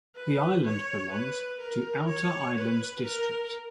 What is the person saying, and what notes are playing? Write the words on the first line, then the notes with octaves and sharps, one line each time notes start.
The island belongs to Outer Islands District.
B4
C#5
B4
A#4
C#5
B4
A#4